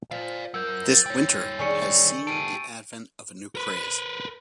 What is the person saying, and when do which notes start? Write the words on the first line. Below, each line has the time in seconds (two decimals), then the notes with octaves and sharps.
This winter has seen the advent of a new craze.
0.11 F3 D5 F5
0.54 F#3 A#4 E6 G6
0.89 A6
1.06 G3 C#5
1.59 D#3 D4 G#4 G#5 C#6 C#7
2.27 G4 A4 D7 D#7
3.55 A#4 B4